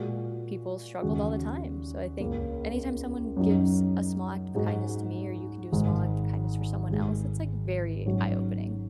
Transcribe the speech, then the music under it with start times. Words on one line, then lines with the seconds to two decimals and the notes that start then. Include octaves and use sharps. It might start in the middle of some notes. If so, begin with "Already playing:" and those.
people struggled all the time, so I think, anytime someone gives a small act of kindness to me, or you can do a small act of kindness for someone else, it's like very eye-opening.
Already playing: A#2 G#3 F#4
1.02 D#2 C#3 G#3 F#4
2.20 C#2 C#3 A#3
3.37 F#2 F#3 D#4
4.55 G#2 G#3 D#4 F#4
5.72 G#1 G#2 G#3
6.89 G#1 G#2 G#3
8.06 G#2 F#3 C#4 F#4